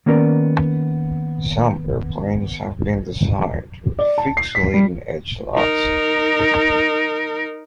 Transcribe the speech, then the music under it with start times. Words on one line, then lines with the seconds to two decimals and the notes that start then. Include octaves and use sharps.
Some airplanes have been designed with fixed leading edge slots.
0.06 D#3 A#3 B3 C#4 A#4 D5
3.99 D5
4.18 A5
4.37 C7
4.55 B6
4.74 G3
5.55 D#4 A#4